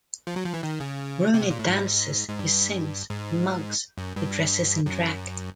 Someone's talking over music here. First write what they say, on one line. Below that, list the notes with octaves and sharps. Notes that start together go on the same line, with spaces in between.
Rooney dances, he sings, he mugs, he dresses in drag.
F3
F#3
F3
E3
D#3
C#3
C3
B2
A#2
A2
G#2
G#2
G2
G#2
F#2
G2
F#2